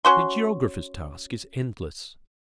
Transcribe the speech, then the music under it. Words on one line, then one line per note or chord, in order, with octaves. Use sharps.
The Geographer's task is endless.
C#4 F#4 C6